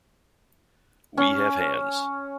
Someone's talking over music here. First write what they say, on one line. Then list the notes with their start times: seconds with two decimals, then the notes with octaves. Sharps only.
We have hands.
1.17 C#4